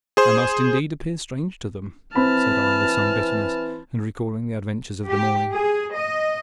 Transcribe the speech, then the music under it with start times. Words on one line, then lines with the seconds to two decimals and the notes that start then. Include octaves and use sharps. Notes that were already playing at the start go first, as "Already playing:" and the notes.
"I must indeed appear strange to them," said I, with some bitterness, and recalling the adventures of the morning.
0.17 G#4 C5
2.15 E3 C4 A5 B5 F6
5.07 G4
5.51 G#4
5.93 D#5